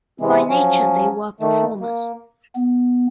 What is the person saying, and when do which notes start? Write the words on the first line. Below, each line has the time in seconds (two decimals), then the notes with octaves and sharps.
By nature they were performers.
0.21 C3 E3 G#3
0.48 F3 F#3 C#4
1.40 D#3 A3
1.80 A#3
2.55 B3